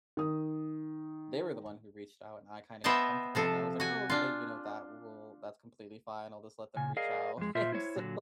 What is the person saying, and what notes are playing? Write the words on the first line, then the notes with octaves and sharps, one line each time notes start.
they were the one who reached out, and I kinda got comfortable, and I was like, "Oh, okay, you know, that will that's completely fine, I'll just let them reach out," and so,
D#3 D#6
B3 C5 D#5 E5 G5 A5
C3 F3 A4
F#4 G#5
D4 F4
A#2 C#3 G#5
G#4 A#4 D5 D#5 F5
F2 G#3
A#2 F4 C5 E5
E4 C5 C#5
A#2 D3 F#3